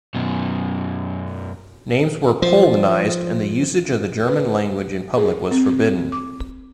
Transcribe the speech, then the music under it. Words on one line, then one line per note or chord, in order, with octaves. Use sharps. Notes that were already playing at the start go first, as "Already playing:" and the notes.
Names were "Polonised" and the usage of the German language in public was forbidden.
F#2 B2
F3 C5
B4
G#4
C4
D6